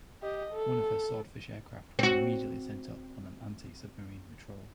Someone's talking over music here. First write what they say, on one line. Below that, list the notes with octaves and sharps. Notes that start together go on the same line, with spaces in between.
One of her Swordfish aircraft was immediately sent up on an anti-submarine patrol.
G4 D#5
A4
C4 F#4